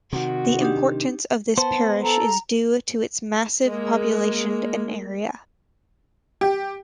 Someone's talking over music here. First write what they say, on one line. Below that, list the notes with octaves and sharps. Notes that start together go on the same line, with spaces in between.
The importance of this parish is due to its massive population and area.
C3 D#3 F#4
D4 D#4 G4
B3 C5 A5
A4 A#5
G#3 A#3
G4